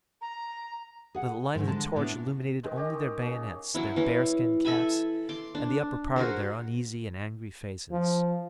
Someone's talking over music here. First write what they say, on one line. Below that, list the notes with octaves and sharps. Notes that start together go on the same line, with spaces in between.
The light of the torch illuminated only their bayonets, their bear-skin caps, and the upper part of their uneasy and angry faces.
A#5
G#4 F#5
G#2 D#3
D3 G#3 A5
A2 B3 D4 E4
D#3 G#3
C#4 G4 D#5
C#4
C#3 C#4
F#3 C#4 E4
E3 C#4
A4 E5 G#5 B5
C6 D6
D4
F#4 G#4 A#4 C5
F3